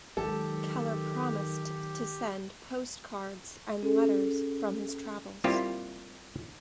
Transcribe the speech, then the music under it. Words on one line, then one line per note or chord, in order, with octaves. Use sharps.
Kellar promised to send postcards and letters from his travels.
D#3 F#3 G#3 G4 A4
C#4 G#4 A4
G3 A#3 C4 E4 F4 G4